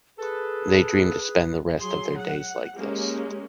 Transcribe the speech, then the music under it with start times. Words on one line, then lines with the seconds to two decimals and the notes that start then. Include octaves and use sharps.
They dream to spend the rest of their days like this.
0.18 G#4 A4 B4
1.80 F#3 G#4 C6
2.18 F#5
2.76 G#3 A#3 C#4 G4